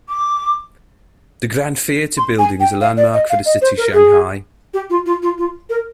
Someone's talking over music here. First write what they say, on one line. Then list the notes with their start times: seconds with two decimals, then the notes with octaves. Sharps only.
The Grand Theatre building is a landmark for the city Shanghai.
0.09 D6
2.17 C6
2.39 G#5
2.60 G5
2.81 F5
2.97 D5
3.14 D#5
3.30 F5
3.46 D#5
3.62 C5
3.78 A#4
3.94 G#4
4.74 G4
4.90 F4
5.06 F4
5.23 F4
5.38 F4
5.70 A#4